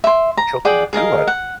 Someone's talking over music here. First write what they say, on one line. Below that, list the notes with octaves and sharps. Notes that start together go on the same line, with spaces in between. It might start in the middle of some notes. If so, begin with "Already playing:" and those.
children would do, I'd
E5 C6
A#5
G#4 D5 F#5 G5
G#4 A#4 D#5 F5
F#5